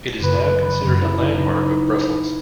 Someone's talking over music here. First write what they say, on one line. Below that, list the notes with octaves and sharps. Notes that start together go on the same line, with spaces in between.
It is now considered a landmark of Brussels.
F#2 C#3 G#3 B4 B5
B4 B5
B4 B5
F#2 C#3 G#3
E4 E5
D#4 D#5